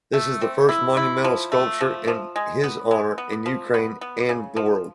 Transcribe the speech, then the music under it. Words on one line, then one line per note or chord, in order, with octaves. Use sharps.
This is the first monumental sculpture in his honor in Ukraine and the world.
A3
C4
E4
E4
F3
A3
F3
F3
G#3
B3
G#3
B3
F3
B3
B3
C#3
F3